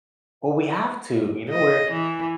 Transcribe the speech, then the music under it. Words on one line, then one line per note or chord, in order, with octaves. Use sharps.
Well, we have to, you know, we're
D#5
E3